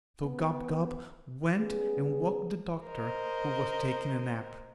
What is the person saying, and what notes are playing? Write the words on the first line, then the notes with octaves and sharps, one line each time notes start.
So Gub-Gub went and woke the Doctor who was taking a nap.
B3
G3 B3 C#4 G#4
A#4 C5 D#5